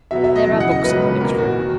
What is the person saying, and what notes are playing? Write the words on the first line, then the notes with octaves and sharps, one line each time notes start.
There are books in the next room.
B2 F#3 B3 E5
E5
D#5
F#2 C#3 E3
F#5
D#5
C#2 C#3 F#3 B3 B4
B4
E2 B2 A#3 A#4
F#4
D#3 F#3